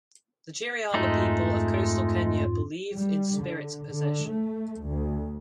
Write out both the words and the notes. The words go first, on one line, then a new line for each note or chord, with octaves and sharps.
The Giriama people of coastal Kenya believe in spirit possession.
F2 G#2 G#3 A3 D#4 F4
G3
D3
D3
A3
D2